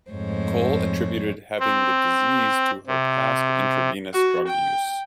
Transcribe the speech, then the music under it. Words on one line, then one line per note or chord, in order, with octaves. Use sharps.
Cole attributed having the disease to her past intravenous drug use.
F2 G#2 A3 C5 C#5
C4
C3
F#4
G5